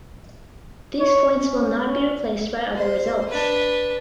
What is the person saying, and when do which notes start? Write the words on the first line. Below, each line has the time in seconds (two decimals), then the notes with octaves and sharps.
These points will not be replaced by other results.
1.00 C#5
1.37 C#4
1.86 C#4
2.75 C5
3.28 D4 B4